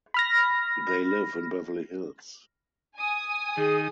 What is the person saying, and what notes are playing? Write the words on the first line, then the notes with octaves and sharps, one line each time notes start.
They live in Beverly Hills.
B5 F6 A#6
G#5 D#6
D#3 G#4